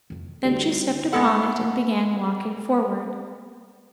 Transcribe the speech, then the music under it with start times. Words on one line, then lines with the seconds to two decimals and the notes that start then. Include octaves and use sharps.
Then she stepped upon it and began walking forward.
0.10 F2 D#3
0.45 D2 D3 G3 A3
1.12 G#3 B3 A4 F#5